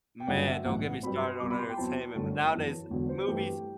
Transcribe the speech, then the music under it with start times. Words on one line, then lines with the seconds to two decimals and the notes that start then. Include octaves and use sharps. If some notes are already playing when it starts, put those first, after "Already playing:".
Man, don't get me started on entertainment. N Nowadays, movies,
0.20 G5
0.27 G1 G2 D3 F#3 F#5
0.47 E5
0.65 B1 A2 E3 F#5
1.02 G2 F#3 C4 B5
1.22 C6
1.40 C2 B2 G3 B3 D6
1.51 B5
1.59 C6
1.69 G5
1.77 E2 B2 F#3 C4 E4 A5
2.15 G1 F#2 D3 A3
2.53 F#2 E3 B3 E4
2.90 E1 E2 D3 F#3
3.09 C5
3.27 G2 E3 A3 E4 G4